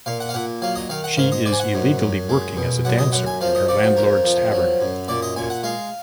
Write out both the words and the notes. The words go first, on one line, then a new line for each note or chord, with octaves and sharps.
She is illegally working as a dancer in her landlord's tavern.
A#2 F5
F#5
F5
A#2 F#5
F#3 F5
D#5
D#3 F5
F#5
G#2 F5
D#5
G#2 D5
G#5
F#5
F#2
F#2
G#3
B2
F#2 F#5
D#5
F#2 F#5
G#5
F3 F5
D#5
F3 D5
F#4
F2 A#4
F3
F#3
F#2
A#2 D5
D#5
A#2 G#5
F#5
G#3 F5